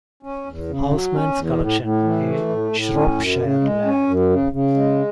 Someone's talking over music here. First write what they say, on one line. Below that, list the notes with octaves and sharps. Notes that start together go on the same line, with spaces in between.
Housman's collection "A Shropshire Lad".
C#4
E2
C#3
F#3
C#4
E2
A2
A2
E3
A3
A2
A2
C#4
F#2
C#3
G#3
C#4
F#2
C#3
C#3
G#3